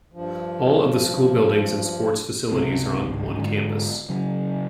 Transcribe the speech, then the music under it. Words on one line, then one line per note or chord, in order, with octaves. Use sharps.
All of the school buildings and sports facilities are on one campus.
G2 F3
C#2 C3 C4
D#1 G#1 C#2
G#2 D3
C#3 F#3